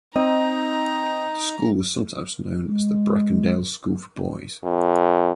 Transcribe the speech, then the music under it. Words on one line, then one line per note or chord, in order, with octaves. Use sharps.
The school was sometimes known as Bracondale School for Boys.
C4 D#4 D#5 A#5
G#3
F2